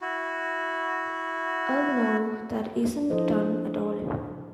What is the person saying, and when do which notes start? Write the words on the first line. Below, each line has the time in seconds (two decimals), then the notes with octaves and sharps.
Oh, no, that isn't done at all.
0.01 E4 F#4
3.10 F3 D4 E4 A4 C5 D#5